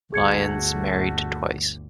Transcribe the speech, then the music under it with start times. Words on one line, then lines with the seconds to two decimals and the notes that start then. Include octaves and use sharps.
Lyons married twice.
0.12 G1 D2 A3 F#4 G#4 G#6 C#7